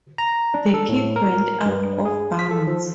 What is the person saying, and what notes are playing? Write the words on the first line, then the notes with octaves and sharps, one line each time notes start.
The kick went out of bounds.
A#5
D4
A4
A2
A#4
G2
G#4
B6
A4
F3